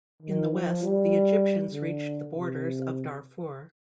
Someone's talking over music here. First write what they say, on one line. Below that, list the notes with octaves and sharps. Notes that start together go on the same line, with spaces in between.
In the west the Egyptians reached the borders of Darfur.
D#3
F3
G3
D3
C3